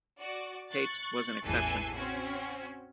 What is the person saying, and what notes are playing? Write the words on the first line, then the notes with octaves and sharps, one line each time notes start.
Paete was an exception.
F#4 D5
C#6 F#6 A6
A1 E2 E3 A4 G#5 C7
C4 C#4 F#4